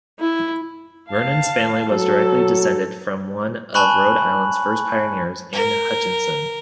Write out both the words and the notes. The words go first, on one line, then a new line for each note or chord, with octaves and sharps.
Vernon's family was directly descended from one of Rhode Island's first pioneers, Anne Hutchinson.
E4
F5 A5
F#3 A4
G#5 A5 B5 C#6 F#6 F#7
A#4